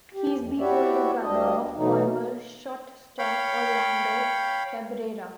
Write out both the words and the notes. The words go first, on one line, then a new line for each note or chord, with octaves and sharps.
He is the older brother of former shortstop Orlando Cabrera.
G4
F2
E4 F#4 G4 C#5 D5 E5
D2 G3 D4 D#5
B2 E3 F#3 A3 D#4
C#5 F5 G5 B5